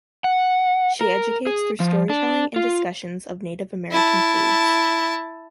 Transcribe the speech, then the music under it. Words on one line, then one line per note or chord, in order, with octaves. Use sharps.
She educates through storytelling and discussions of Native American foods.
F#5
A#4
G#4
F3
D4
F4
E4 A5